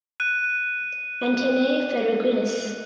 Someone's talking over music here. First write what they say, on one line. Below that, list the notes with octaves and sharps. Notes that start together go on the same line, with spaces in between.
Antennae ferruginous.
F#6 D#7